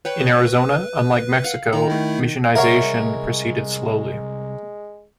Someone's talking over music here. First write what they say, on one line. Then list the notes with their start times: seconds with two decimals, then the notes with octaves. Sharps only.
In Arizona, unlike Mexico, missionization proceeded slowly.
0.05 B4 C#5 G5 B5
1.44 F5 F#5
1.73 D#3 A#5
1.90 A3 E4
2.55 C2 G#3 A#4 C#5 E5 F#5